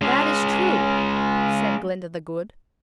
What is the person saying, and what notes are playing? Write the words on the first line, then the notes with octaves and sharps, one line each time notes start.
"That is true," said Glinda the Good.
G#3 C#4